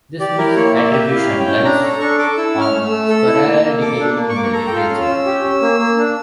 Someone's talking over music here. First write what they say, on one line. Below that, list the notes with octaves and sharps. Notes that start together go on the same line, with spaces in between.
This misattribution lives on sporadically in the literature.
G4 D5
E4 A#4
A#3 C#5
A#3 E5
D5
G4 E5
E4
F5
C#4
G5
C#4
D4 A#5
A4
A#5
D4 C#6
A4 D6
E4 E6
C#4
F6
A3
E6
A3
A4
E4
A#3
A#3
A4 D6
D4
A#3
C#6
A#3 D6
C#6
A4 A#5
F4 G5
F5
C#4
E6
C#4
G4
C#4
A#3
A#3
D4